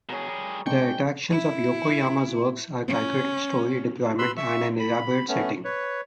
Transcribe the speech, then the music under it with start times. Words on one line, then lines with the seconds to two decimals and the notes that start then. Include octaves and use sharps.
The attractions of Yokoyama's works are calculated story deployment and an elaborate setting.
0.09 B2 G#4 A#4 C#5
0.28 G3 G#4
0.66 C3 G#3 D4 C5 G5 C#6 C#7
1.31 E4
2.88 C#4
4.19 B4 B5 C6 E6
4.37 E5 C#6 E6
4.79 B5
5.28 A3 B3 C#4
5.65 B4 C#5